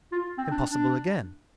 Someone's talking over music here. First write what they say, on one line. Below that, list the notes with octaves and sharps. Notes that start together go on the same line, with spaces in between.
Impossible again!
F4
C4
D4
D4